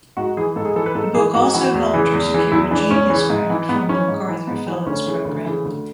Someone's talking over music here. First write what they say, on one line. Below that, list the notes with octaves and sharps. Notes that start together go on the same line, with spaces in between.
The book also helped her secure a "Genius Grant" from the MacArthur Fellows Program.
G#2 F#4
E3 G#4
G#2 A4
G#4
E3 A4
B4
G#2 A4
E3 G#4
G#2 F#4
E3 F#4
E2
C#3 E3
E2
C#3 E3
E2 E4
C#3 E3 D4
E2 C#4
C#3 E3
G#2
E3
G#2 B3
E3 C#4
G#2
E3
G#2 B3
E3
D2 C#4
C#3 E3
D2
C#3 E3
D2